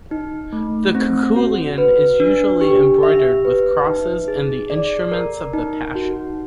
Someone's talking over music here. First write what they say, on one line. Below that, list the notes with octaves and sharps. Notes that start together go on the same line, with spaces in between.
The koukoulion is usually embroidered with crosses and the Instruments of the Passion.
D#4
A3
C4
F#4
B4
D4
G4
E5
B4
D#4
G#4
D5
A#4
D#4
F#4